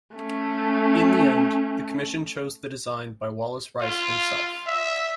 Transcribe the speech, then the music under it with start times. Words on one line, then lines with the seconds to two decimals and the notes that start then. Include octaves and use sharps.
In the end, the commission chose the design by Wallace Rice himself.
0.15 A3 C#4
3.81 F4
4.67 E5